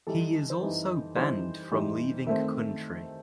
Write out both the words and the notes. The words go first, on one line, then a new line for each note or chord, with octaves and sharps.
He is also banned from leaving country.
E3 G3 D#4 A4
C5
E3 G3 D#4 B4
E3 G3 D#4 C5
E3 G3 D#4
D#3 A3 C4 E5